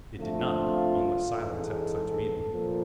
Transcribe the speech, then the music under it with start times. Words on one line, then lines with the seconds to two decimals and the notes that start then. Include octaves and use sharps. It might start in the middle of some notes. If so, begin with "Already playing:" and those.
It did not,--unless silence had such meaning.
0.17 F2 D3 F3 A3 F4
1.34 G#2 E3 G#3 A4
2.53 A#2 F3 A#3